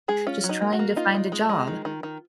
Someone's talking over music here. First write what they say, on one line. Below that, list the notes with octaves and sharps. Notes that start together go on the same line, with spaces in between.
just trying to find a job,
G#3 G#4
C#4 F4
F#3
D#4
A#3
F#4
A#3
D#4 F4
G#3
G#3
G#3
D#3
D#3
D#3